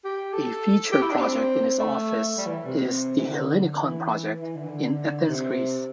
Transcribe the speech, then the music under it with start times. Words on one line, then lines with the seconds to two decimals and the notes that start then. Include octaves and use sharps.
A feature project in his office is The Hellinikon Project in Athens Greece.
0.05 G4
0.34 A4
0.92 G4
1.02 E4
1.11 D4
1.21 C4
1.79 A3
2.38 G3
2.46 E3
2.66 C3
3.20 E3
3.25 D3
3.82 E3
4.40 E3
4.55 D3
4.64 E3
4.69 D3
5.28 C3